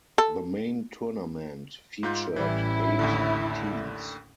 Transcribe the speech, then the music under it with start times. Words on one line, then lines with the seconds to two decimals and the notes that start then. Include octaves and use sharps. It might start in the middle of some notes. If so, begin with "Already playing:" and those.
The main tournament featured eight teams.
0.18 A4
2.03 G#2 F4 G6
2.36 A1 E3 G3 E4
2.99 D#2 A2 D3